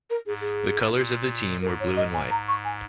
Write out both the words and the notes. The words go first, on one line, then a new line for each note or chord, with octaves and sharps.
The colours of the team were blue and white.
A#4
G#2 G#4
G#4
A#2
G#2 A#4
C#5
D#5
G#5
A#5
C#6
G#5